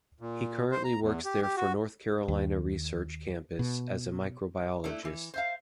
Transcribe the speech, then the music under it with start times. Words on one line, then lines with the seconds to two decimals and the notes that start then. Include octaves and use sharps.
He currently works there for North Carolina Research Campus as a microbiologist.
0.20 A#2
0.72 C5
0.84 A#5
1.01 E2
1.25 G4
1.42 G4
1.57 F#4
2.28 D#2
3.59 B2
4.84 A3 D4 E4
5.05 E3
5.34 C5 E5 F5